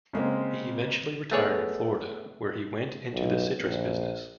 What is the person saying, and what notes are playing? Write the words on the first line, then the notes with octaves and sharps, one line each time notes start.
He eventually retired in Florida where he went into the citrus business.
C#3 G#3 A#3 C4
A3 B3 G#4 C#5 D5
B1
A#1